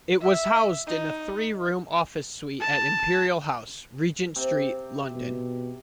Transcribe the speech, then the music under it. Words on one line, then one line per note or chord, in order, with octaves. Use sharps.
It was housed in a three-room office suite at Imperial House, Regent Street, London.
E5
D#4
A5
C3
B2